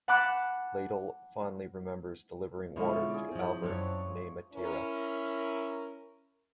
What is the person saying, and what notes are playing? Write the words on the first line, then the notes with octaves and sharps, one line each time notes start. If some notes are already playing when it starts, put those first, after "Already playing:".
Liddle fondly remembers delivering water to Albert Namatjira.
F#5 A5 B5 D6 F#6
B2 D3 G#3 C#4 E4 F4
G#4 D5
F3 C4
F#2 F#3 C4 D4 C#5
C#6
C#4 E4 A#4